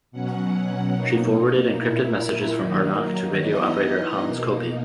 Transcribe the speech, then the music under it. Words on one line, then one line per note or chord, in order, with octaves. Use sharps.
She forwarded encrypted messages from Harnack to radio operator Hans Coppi.
B2 F#3 C#4 F#5
B2 A#3 D#4
A#2 A#3 E4
D#3 F#3 A#3 D#4
E3 B3 D#4 D#5
B2 A#3 D#4